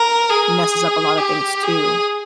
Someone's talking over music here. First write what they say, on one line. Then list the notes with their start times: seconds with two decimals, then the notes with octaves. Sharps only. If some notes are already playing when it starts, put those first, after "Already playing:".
messes up a lotta things, too.
Already playing: A#4
0.30 G#4
1.18 G4
1.63 G#4